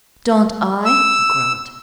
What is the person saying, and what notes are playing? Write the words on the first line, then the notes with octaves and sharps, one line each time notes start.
"Don't I?" he growled.
E6